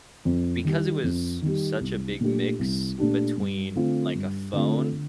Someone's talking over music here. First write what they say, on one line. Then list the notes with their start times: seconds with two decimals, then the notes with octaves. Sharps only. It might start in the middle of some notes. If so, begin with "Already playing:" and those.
because it was such a big mix between, like, a phone
0.25 F2
0.64 D#3 G3
1.04 F2
1.42 D#3 G3
1.81 C2
2.21 A#2 A3 D4 G4
2.59 C2
2.98 A#2 A3 D4 G4
3.37 G2
3.76 D3 A3 C4 F4
4.15 G2
4.53 D3 A3 C4 F4
4.93 D3